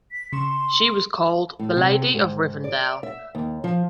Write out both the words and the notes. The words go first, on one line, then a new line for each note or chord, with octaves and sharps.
She was called the Lady of Rivendell.
B6
C#3 C6 C#6 E7
A2
C3
G#2
D5
E5
D#2
F3